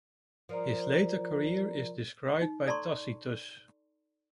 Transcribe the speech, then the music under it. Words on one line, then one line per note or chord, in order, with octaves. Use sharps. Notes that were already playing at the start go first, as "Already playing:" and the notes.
His later career is described by Tacitus.
F3 A#4 D5 A#5
D#4
A4 D5 A5 A#5 C6 C#6